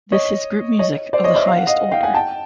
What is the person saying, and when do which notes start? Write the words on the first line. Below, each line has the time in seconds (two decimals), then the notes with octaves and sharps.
This is group music of the highest order.
0.12 C#5 D#5
0.79 C#5 D#5
1.13 C5 D5
1.24 C#5 D#5
1.36 D5 E5
1.47 F5
1.57 F#5
1.67 D#5 F5
1.92 F5 G5
2.03 F#5 G#5
2.14 G5 A5